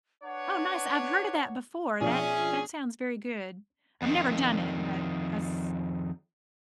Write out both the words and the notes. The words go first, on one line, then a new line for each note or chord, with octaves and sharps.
Oh, nice. I've heard of that before. That that sounds very good. I've never done it, but I s
D4 B4 C#5 F#5
B2 F3 C#4 D4 G#4 E5
F2 D#3